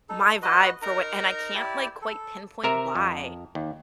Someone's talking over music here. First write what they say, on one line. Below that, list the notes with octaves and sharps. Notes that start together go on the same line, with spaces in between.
my vibe for what and I can't, like, quite pinpoint why.
D#4 A4
F#4 B4 D#5
D#4 A#4 A#5
E4 G4 D5
A4
C3 A#4 E5
F2
D#2